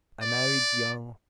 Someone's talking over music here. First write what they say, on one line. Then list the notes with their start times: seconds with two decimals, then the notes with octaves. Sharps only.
I married young.
0.22 D5